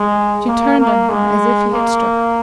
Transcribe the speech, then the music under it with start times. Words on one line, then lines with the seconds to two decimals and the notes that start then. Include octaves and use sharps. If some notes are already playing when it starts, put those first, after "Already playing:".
She turned on him as if he had struck her.
Already playing: G#3
0.47 A#3
0.78 A#3
1.09 G#3
1.72 A#3